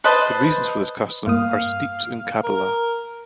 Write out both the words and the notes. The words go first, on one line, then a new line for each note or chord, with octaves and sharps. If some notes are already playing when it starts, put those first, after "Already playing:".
The reasons for this custom are steeped in Kabbalah.
B4 C5 D#5 A5
G2 A#3 F5 D#6
A#4